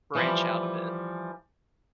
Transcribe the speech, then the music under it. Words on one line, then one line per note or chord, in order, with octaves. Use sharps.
branch out a bit.
E3 F3 G3